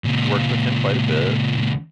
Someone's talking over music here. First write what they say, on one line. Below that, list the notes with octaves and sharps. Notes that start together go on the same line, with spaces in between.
worked with him quite a bit,
C#2 A#2